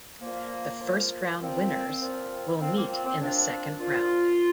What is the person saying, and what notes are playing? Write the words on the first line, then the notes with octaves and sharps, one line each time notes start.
The First Round winners will meet in the Second Round.
A#2 F3 A#3
A#2 F3
A#2 F3 C4
A#2 F3
A#2 F3 C4
A#3
C4
C4
A#2 F3 D4
A#2 F3 F4